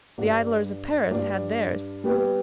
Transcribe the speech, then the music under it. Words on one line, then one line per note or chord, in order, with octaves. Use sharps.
The idlers of Paris had theirs.
G2 G3 D4
G2 G3 D4
G3 B3 G4 B4